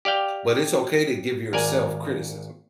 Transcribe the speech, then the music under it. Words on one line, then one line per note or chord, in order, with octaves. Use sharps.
but it's okay to give yourself criticism,
G4 D5 F5 G5
G#1 A#4 D5 G#5